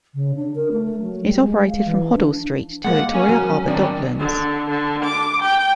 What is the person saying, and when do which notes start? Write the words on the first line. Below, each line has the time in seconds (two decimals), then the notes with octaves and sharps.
It operated from Hoddle Street to Victoria Harbour Docklands.
0.15 C#3
0.36 D4
0.55 A#4
0.72 A3
1.01 F#3
1.25 G3
1.39 G#3
1.70 F5
1.85 E3
2.15 D4
2.84 G#3 A#3 F#5
3.14 C#4
3.29 F#3 A#4
3.68 D#3 C4 D4
4.19 D3
4.70 D3
5.03 D6
5.42 G5